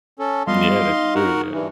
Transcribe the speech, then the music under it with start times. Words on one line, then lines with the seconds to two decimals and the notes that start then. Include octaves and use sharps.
Yeah, that's true, yep.
0.19 C#4 A4
0.47 G3 B3 F4 D#5 F5 C6
0.88 D#4
1.15 F#4 A#4 F#5
1.52 G2 E3